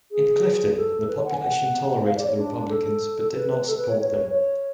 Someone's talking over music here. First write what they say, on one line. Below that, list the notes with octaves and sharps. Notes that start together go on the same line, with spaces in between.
In Clifden, the population tolerated the Republicans but did not support them.
G#4
A4
B4
C#5
F#5
G#5
F#5
F5
D5
C#5
D4
A4
B4
A4
B4
C#5
C#5
C#5